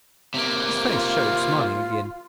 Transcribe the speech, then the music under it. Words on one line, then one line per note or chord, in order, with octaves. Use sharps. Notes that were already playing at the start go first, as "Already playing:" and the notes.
His face showed smiling again.
C3 A#3
F4